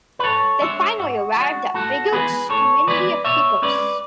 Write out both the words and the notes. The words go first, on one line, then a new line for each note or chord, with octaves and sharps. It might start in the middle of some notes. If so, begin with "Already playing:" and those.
They finally arrived at Bigotes's community of Pecos.
B4
G#2 A4 C#5
G#3 D4 C#5 E5
G#2 F#4
G#3 D4 F#4
A2 F#4 A4
E3 G#3 B3 E4 G#4 B4
A2 A4 C#5
E3 G#3 B3 E4 B4 D5
B2 C#5 E5
G#3 C#4 B4 D5